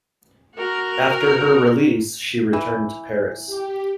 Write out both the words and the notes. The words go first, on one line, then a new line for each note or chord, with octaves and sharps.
After her release, she returned to Paris.
F#4 A#4
E3
G4